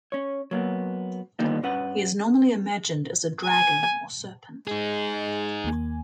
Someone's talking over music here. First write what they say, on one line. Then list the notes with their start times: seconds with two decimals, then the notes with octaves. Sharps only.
He is normally imagined as a dragon or serpent.
0.12 C#4 C#5
0.51 F#3 A#3 B3
1.39 D3 D#3 G3 A#3 B3 D#4
1.63 G2 C#4 B4 F#5
3.45 G#5
4.67 G#3 D#4 G#4
5.64 D#2 A#3 G#5